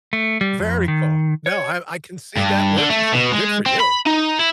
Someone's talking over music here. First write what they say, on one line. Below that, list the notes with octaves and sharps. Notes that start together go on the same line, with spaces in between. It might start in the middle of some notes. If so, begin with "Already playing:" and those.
Very cool. No, I I can see that working for you. Good for you.
A3
G3
F2
D#3
C#5
G2
D3
A3
B2
G#3
C4
B5
D#4
E4